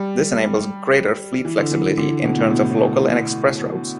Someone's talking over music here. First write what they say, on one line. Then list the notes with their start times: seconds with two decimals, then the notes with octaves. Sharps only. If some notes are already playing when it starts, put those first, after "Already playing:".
This enables greater fleet flexibility in terms of local and express routes.
Already playing: G3
1.45 E3
1.59 D3
1.71 E3
1.98 D3
2.24 B2
2.38 A2
2.50 B2
2.64 A2